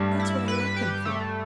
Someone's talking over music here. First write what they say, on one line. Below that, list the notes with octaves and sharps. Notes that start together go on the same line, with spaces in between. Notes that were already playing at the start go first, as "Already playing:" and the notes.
"That's what I like him for."
Already playing: G2 G3 A3
E4
B4
G4
A3